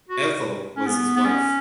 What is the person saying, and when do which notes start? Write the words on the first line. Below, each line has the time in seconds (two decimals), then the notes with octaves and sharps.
Ethel was his wife.
0.09 F#4
0.76 C#4
0.87 B3
1.16 B3
1.26 C#4